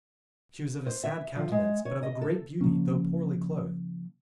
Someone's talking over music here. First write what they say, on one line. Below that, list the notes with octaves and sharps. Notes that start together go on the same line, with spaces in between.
She was of a sad countenance, but of a great beauty, though poorly clothed.
C5
E5
F3
G#3
C#5
D#5
A4
C#3 F3 A#3 C#4